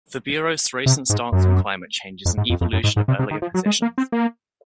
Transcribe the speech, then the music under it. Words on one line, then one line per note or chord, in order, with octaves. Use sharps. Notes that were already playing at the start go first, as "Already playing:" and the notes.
The Bureau's recent stance on climate change is an evolution of earlier positions.
C3
G#2
F#2
F2
G#2
F2
F2
F#2
G#2
G#2
C3
C3
D#3
F3
F#3
G#3
A#3
C4
A#3